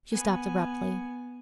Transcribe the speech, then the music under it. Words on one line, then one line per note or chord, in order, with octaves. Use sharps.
She stopped abruptly.
B3 G#5